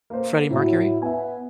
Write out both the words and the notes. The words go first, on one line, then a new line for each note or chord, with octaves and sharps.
Freddie Mercury?
A#3 C5
A2 F#3 E4
B3 E5 G#5